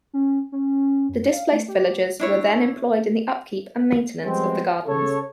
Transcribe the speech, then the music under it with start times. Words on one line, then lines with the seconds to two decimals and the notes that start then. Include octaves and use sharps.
The displaced villagers were then employed in the upkeep and maintenance of the gardens.
0.13 C#4
0.52 C#4
1.09 F#2
1.31 F5
1.52 A3
1.68 G4
2.20 D4 E4 C#5
4.24 F3 G3 G#3 B3 C4
4.87 C#3 A4 C#5